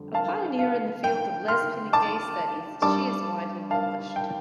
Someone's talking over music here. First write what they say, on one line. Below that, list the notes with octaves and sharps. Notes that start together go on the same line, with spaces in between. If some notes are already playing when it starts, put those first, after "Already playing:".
A pioneer in the field of lesbian and gay studies, she is widely published.
Already playing: F2 D3 G3
F5 A5
F5
G5
C6 F6
A5 D6
G2 G3 A5 D6
F5 A5
G5